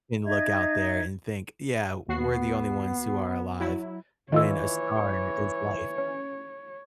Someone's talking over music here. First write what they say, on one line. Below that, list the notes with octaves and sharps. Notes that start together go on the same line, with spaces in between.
can look out there and think, "Yeah, we're the only ones who are alive." When a star is life.
D#4 D#5 E5 G#6
D#2 B3 F#4 C7
F#3 E4
D#3 E3 F4 C#5 D#5 E6
C#4